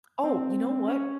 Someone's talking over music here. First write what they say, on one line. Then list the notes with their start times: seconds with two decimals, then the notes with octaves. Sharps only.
Oh, you know what?
0.24 C4
0.88 C#4